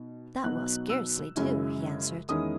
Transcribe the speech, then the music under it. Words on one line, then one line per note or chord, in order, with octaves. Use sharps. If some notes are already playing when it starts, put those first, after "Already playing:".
"That will scarcely do," he answered.
Already playing: B2 D#4
B2 F#3 B3 D#4 F#6
E6
F#2 C#3 G#3 C#4 E4
E2 D#3 G#3 C#4 E4 D#6